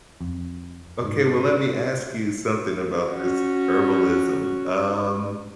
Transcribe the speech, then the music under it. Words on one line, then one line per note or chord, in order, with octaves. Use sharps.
Okay, well, let me ask you something about this herbalism. Um,
F2
G#2
C#4 F#4